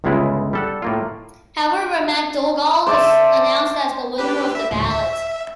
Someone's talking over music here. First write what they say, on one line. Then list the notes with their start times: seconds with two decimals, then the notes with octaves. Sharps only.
However MacDougall was announced as the winner of the ballot.
0.04 G1 C#2 C#3 G#3 E4 F4
0.53 G3 A4 F#5
0.82 A2 A#3 F4
2.87 C5 D5 E5 A5
4.18 D4 G4 B4
4.55 E5
4.71 D2 A2
4.90 E5